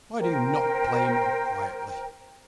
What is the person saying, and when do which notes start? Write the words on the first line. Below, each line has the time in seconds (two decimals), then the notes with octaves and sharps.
Why do you not play more quietly?
0.20 A#4 C5 G5